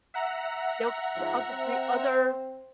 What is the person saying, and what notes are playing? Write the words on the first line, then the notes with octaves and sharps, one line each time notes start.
They'll g other The other
E5 F#5 A#5
G#2 F3
C4 C5